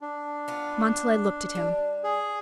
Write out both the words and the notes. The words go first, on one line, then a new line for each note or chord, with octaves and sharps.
Montalais looked at him.
D4
B3 F4
G3
G#4